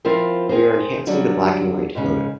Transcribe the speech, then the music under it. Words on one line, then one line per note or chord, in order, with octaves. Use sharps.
We are enhancing the black and white photo.
F3 C4 E4 F4 A#4 C5
C4 G#4 A#4 C5
D3 F#3 G3 D4
G#2 C#3